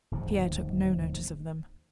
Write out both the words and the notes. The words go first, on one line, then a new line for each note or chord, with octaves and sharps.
Pierre took no notice of them.
D1 D#2 G#2 F3